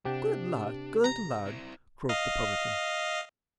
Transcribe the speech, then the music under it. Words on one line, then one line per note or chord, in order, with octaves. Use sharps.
"Good lad! good lad!" croaked the publican.
C3 D4 G4 F#5 A5
A#5
C4 E4
D#5 F5